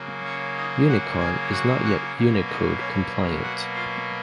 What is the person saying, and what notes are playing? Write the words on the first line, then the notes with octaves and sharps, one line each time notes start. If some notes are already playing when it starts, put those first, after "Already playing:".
Unicon is not yet Unicode-compliant.
Already playing: C#3 F#3 A#3
C#4 C#5
D#4 D#5
F#4 F#5
G#4 G#5
F#4 F#5
F#4 F#5
B2 F#3 A#3
D#4 D#5
C#4 C#5
F#4 F#5
F4 F5